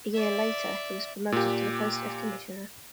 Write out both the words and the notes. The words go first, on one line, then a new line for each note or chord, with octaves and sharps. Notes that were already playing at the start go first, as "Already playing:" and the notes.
A year later, he was promoted to the post of commissioner.
D5 E5
A#2 G4